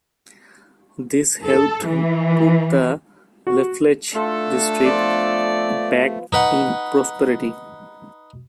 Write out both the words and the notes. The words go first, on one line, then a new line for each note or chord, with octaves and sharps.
This helped put the Lafleche district back in prosperity.
A4
E3
F#4
A3 D4 F4 A4
F3 B3 D5
D#4 B4 F#5